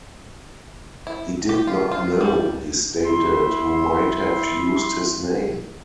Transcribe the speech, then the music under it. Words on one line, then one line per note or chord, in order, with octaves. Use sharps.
He did not know, he stated, who might have used his name.
E4
G4
F4
F4
G3
E4 E5 C6